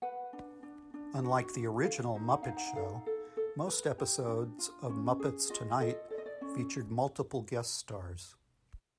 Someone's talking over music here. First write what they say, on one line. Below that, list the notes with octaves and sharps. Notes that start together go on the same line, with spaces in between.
Unlike the original "Muppet Show", most episodes of "Muppets Tonight" featured multiple guest stars.
B4 F#5
D4
D4
D4
F#4
D4
A4 F5
D#4
F#5
D#4 F5
F#5
A4 F5
A4
A4
B4
G4
D4
F4
C#4
G#4
F4 D#5
A4 D#5
A4 D5
D#5
D5
C#4